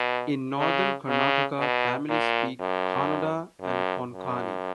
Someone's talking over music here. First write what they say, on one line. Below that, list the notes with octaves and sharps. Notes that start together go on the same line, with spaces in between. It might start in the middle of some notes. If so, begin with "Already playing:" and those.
In Northern Karnataka families speak Kannada and Konkani.
Already playing: B2
C#3
C#3
B2
A#2
F#2
F#2
F#2